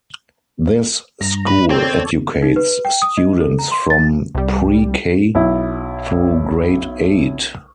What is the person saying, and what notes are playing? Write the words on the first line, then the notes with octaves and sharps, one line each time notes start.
This school educates students from pre-k through grade eight.
G2 A#5
B4
C4 A4 C#5 D5
D#4
B4
G5
D#6
D#5
A4
A#5
C6
A6
C2 G3
B1 E4